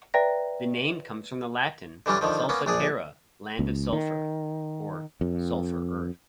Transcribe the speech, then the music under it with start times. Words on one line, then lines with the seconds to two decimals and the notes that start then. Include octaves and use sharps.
The name comes from the Latin, "Sulpha terra", "land of sulfur", or "sulfur earth".
0.14 B4 D5 E5 G5 A#5 A#6
2.06 D3 E3 G3 C#4 D4
2.21 D3 D#3 F3
2.49 A#3 B3 C#4
2.66 A#1 D4 G#4
3.59 C#2
3.93 D#3
5.21 F2